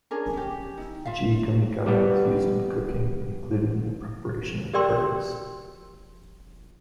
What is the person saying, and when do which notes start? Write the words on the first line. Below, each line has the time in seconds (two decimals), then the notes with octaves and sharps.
"G. gummi-gutta" is used in cooking, including in the preparation of curries.
0.11 C#4 D4 G#4 A#4
0.33 C#4 G4
0.77 D#4 E4
1.06 F4 E5 F5
1.86 G3 B3
4.73 G4 A#4 D5 G5 C6 E6